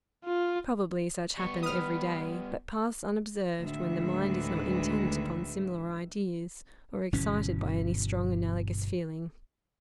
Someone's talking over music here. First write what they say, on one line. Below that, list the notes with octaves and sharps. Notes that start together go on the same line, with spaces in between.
Probably such happen every day, but pass unobserved when the mind is not intent upon similar ideas, or excited by any strong analogous feeling.
F4
G3 B3 C#6
B4 D#6 F6
D2 A2 D#3 G#3 B4 E5
G1 B2 E3 C#4